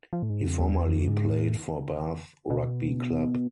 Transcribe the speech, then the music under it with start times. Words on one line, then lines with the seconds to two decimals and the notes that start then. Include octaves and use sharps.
He formerly played for Bath Rugby club.
0.13 F3
0.23 A2
0.30 G#2
0.45 F2
0.60 E2
0.84 F2
1.08 G#2
1.31 A2
2.50 B2